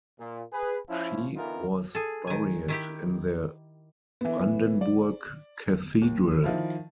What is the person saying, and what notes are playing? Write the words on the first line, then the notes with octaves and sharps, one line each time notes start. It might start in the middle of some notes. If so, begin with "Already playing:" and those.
She was buried in the Brandenburg Cathedral.
A#2
G#4 B4
F3 C#4 E4
D3 E3 B3 D#4 F4 A#4
G#4 A4
D#3 G#5
D#3 E4 G4
E3 B3
D5
D#2
D#3 F3 E4